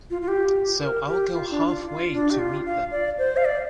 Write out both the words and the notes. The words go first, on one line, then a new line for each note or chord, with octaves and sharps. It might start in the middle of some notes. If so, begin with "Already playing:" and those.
So I'll go halfway to meet them.
F4
F4
G4
A#4
G4
F4
D4
F4
F4
D4
G4
F4
F5
D5
C5
F5
D5